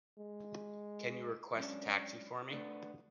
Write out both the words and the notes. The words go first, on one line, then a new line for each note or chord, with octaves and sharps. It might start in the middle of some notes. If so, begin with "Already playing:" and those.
Can you request a taxi for me?
G#3
F#3 G#3 C#4 D4
A3 B3 D4